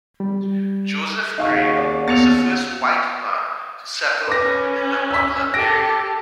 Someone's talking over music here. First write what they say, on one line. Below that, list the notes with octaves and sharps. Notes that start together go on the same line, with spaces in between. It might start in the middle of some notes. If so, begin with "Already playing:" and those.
Joseph Craig was the first white man to settle in the Butler area.
G3
D#2 C#3 D#4 F#4 F5 C#6
D5
B3 A6 C#7 F7
C#4 B4 D6 A#6
E6 B6
G4 A4 A#6 D7